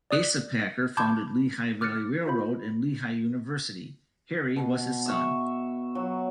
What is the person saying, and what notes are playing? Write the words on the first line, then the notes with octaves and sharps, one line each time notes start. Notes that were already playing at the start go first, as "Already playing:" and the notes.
Asa Packer founded Lehigh Valley Railroad and Lehigh University; Harry was his son.
D5 D#6 F#6
A5 B5 C6 D6 G6 G#6
D6 F6 F#6 A6 C#7
F4 C5 B5
B2
E5 C#6
F#3